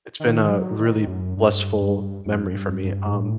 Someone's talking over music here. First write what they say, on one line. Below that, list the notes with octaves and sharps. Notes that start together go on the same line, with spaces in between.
it's been a really blissful memory for me. Um,
D#3
F#3
D#3
F#2
G2
G2
F#2
G2
G2
A2